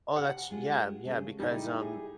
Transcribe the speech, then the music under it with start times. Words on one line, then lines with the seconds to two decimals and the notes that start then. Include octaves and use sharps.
Oh, that's Yeah, yeah, because, um,
0.16 G4 F#5
0.51 G#3 F4
1.04 C#3 G#3 A3
1.40 G3 D#4 E4
1.81 G#4